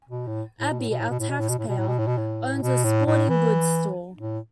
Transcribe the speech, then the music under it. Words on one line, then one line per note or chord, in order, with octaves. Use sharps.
Abby, our taxpayer, owns a sporting goods store.
B2
A2
A2
B2
A2
B2
A2
B2
A2
B2
A2
B2
A2
B2
A2
B2
A2
B2
A2
B2
A2
A2
E3
A2